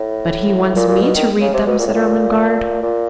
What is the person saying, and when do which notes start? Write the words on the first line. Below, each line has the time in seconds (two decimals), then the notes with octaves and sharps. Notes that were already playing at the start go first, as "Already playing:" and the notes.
"But he wants me to read them," said Ermengarde.
Already playing: A2
0.76 A#2
0.88 A#2
1.02 B2
1.15 D#3
1.41 C#3
1.54 C3
1.66 B2
1.79 A#2
1.87 A2
1.95 A#2
2.83 A#2